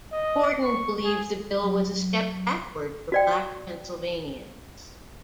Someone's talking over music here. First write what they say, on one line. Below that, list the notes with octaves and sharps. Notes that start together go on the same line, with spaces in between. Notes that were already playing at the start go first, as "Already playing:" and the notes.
Forten believed the bill was a step backward for black Pennsylvanians.
D#5
C#6
G#4
F#3
F#4 D5 G5